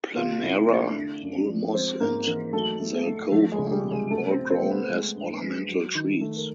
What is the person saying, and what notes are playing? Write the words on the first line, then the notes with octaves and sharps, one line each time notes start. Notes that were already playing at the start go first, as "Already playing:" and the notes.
"Planera", "Ulmus", and "Zelkova" are all grown as ornamental trees.
C2 F4 F5
C2 E4 E5
A3 D4 D5
D3
F#2
F3
G#3 C4 C5
G#2 A#3 A#4
E3 A#3 A#4
F#3 A3 A4
A3
A3
F3 A3 A4
G#3 G#4
C#2
G#4
G3 G4
C3
G#3 G#4
F#3 A3 A4
C4 C5
A3
C4 C5
A3
B3 B4
G#3
G2
G#3
F#3
D#3
A3
A#4